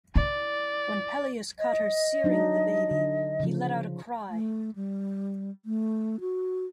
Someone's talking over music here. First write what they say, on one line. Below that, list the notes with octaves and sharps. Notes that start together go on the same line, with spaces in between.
When Peleus caught her searing the baby, he let out a cry.
E4 D5
D#5
F#3 D4 D#4
D3
C#3 F3
A3
G3
A3
F#4